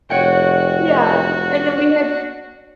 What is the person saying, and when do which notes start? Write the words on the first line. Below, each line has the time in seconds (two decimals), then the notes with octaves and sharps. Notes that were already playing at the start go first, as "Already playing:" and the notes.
Yeah. And then we had
0.10 F1 F#4 C#5 F#5 G5